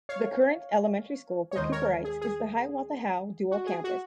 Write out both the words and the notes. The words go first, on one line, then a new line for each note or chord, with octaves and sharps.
The current elementary school for Cooperites is the Hiawatha-Howe dual campus.
C#5 F5
C#5
D#2 D#3 G#3 C5 D#5
A#4 C#5
G#4
G#4
F#4
G#4
F#4